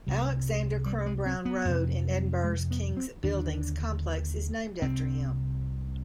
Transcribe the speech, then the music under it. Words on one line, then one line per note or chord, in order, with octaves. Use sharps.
Alexander Crum Brown Road in Edinburgh's King's Buildings complex is named after him.
C2 C3 G3
G3
G#3
C4
B3
F2 C3
G#3
B3
C4
D#2 D3 D4
C2 C3 C4